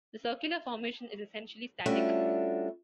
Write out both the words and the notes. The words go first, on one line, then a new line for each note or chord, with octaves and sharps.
The circular formation is essentially static.
G3 A3 C#4 D4 F4 F#4